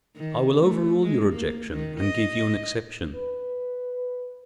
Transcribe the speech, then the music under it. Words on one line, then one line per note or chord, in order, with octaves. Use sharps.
I will overrule your objection, and give you an exception.
D#3
A3
G#3
A#3
D#3
D#5
B4